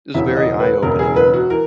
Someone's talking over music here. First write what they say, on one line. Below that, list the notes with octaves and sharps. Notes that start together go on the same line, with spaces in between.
it was very eye opening, and
E1 E2 C#3 E3 E5
D#5
B4
E1 E2 C#3 E3 A#4
G#4
B4
F#4
E3 A#4